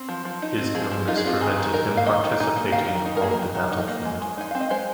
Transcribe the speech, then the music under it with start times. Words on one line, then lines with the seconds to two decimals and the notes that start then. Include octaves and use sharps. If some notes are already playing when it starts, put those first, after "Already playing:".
His illness prevented him participating on the battlefield.
Already playing: C4
0.09 F3
0.25 F3
0.42 D#4
0.58 C4
0.75 F3 G#4
0.91 F3
1.08 D#4 F4
1.17 G#4
1.25 C4 F4
1.41 D#3 G#4
1.57 D#3
1.74 D#4 A#4
1.91 A#3
1.97 F5
2.06 D#3 D#5
2.24 D#3
2.40 D#4 G#5
2.56 A#3
2.72 D#3 F5
2.89 D#3
2.95 A#4
3.06 D#4
3.17 A#4
3.22 A#3 G#4
3.31 A#4
3.39 D#3
3.55 D#3
3.72 D#4
3.88 A#3
4.05 G#3
4.21 G#3
4.37 D#4 G#5
4.51 C4 F5
4.60 D#5
4.70 G#3 C5